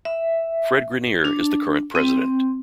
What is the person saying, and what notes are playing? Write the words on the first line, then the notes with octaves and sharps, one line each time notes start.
Fred Greiner is the current President.
E5
D4
C4